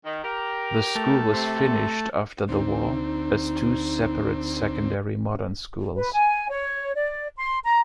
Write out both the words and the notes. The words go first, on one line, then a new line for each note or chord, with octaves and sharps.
The School was finished after the war as two separate Secondary Modern Schools.
D#3
G4 A#4
A3
C3
D2 C4 D#4
B4
G#5
C#5
D5
C6
A#5